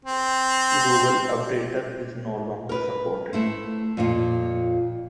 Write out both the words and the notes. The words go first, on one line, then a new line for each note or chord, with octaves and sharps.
Google Updater is no longer supported.
C4
A#4 B4
A3 E4 C5
F2 A#2 C4 F4